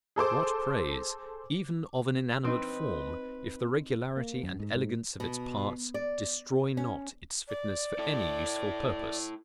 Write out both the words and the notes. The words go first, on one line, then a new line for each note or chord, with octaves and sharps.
What praise, even of an inanimate form, if the regularity and elegance of its parts destroy not its fitness for any useful purpose!
G#4 A4 C5 D6
C4 D#4 B4
A#3
F#2
G#2
G#2
B2
D5
C#4
D5
E4 A4